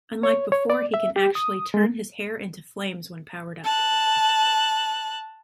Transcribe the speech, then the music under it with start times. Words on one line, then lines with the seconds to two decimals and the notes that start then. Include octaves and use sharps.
Unlike before, he can actually turn his hair into flames when powered up.
0.23 C#5
0.52 C#5
0.70 D5
0.94 E5
1.16 G4
1.35 D#6
1.74 G#3
3.64 A5 F#6